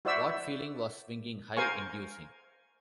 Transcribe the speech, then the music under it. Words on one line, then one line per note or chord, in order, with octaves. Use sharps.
What feeling was swinging high inducing?
E4 F#4 C5 D5 E5 E6
A#4 C5 F5 G#5 C#6